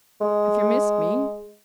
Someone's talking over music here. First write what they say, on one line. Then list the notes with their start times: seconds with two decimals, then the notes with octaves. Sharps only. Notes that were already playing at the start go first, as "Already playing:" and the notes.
'Have you missed me?'
0.21 G#3